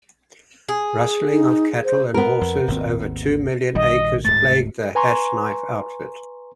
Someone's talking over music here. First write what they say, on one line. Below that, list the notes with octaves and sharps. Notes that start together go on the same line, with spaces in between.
Rustling of cattle and horses over two million acres plagued the Hashknife Outfit.
G#4
D#4
C5
B3 A#4
F2
G#1 D#2 C4
A#1 D#3 G3 D#5
D1 G#2 A3 A6
B4 G#5 A#5 C6 C#6